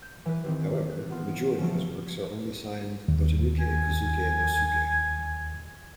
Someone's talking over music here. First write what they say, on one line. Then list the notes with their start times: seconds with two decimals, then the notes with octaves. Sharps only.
However, the majority of his works are only signed "Dotanuki Kozuke no Suke".
0.02 G6
0.26 E3 B4
0.44 D#3 E3 C4 G4
0.77 D6
1.10 B3 F4
1.58 C#3 E3 F3 A3
3.08 D#2
3.60 G#5